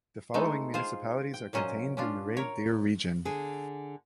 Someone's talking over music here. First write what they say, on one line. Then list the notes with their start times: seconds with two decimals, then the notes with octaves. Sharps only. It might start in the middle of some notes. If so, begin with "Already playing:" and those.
The following municipalities are contained in the Red Deer Region.
0.34 G#3 A3 B3 D#4
0.74 F4 G#4 C5
1.34 G5
1.53 A#2 F#3 C#4 C5 D#5
1.97 C#4 D4 F4
2.37 A#4 C#5
3.25 D3 G#4